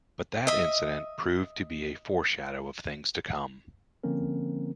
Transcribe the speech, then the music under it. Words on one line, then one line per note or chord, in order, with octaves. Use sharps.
But that incident proved to be a foreshadow of things to come.
D#5 E5
D3 F3 A#3 C4 C#4 A#4